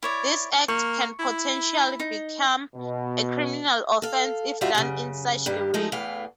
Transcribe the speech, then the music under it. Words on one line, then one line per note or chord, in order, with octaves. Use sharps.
This act can potentially become a criminal offense if done in such a way.
E4 C#5 D5
A#3 C#6
E4
D#4
B2
A4 F5
G3 D4 D#4 F4 F#4 E5
F#2 C#3
G2 D#3 G3
F3 G#3 A3 D#4
E2 A2 E3 A3 F5